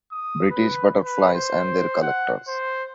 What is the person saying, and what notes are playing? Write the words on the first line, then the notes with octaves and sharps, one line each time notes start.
British Butterflies and their Collectors.
D#6
B4
B4
C5
F#5
C5